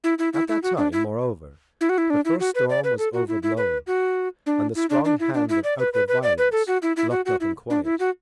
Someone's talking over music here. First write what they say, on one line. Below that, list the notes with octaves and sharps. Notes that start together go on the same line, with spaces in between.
At that time, Moreover, the first storm was overblown, And the strong hand of outward violence Locked up in quiet.
E4
E4
E4
E4
F#4
D4
E4
E4
F#4
E4
D4
E4
F#4
B4
D5
B4
A4
F#4
E4
E4
B4
F#4
D4
E4
D4
D4
E4
D4
E4
D5
B4
B4
B4
D5
B4
A4
F#4
E4
E4
F#4
F#4
E4
D4
E4
F#4